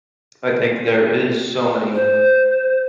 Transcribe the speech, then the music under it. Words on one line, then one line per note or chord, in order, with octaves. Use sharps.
I think there is so many
C5